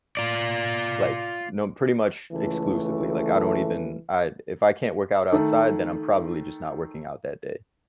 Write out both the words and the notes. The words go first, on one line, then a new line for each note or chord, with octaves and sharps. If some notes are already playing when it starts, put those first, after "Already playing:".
like, no pretty much exclusively, like, I don't even I if I can't work out outside, then I'm probably just not working out that day,
F4 D5
C#2 E3 A3
D#3 A3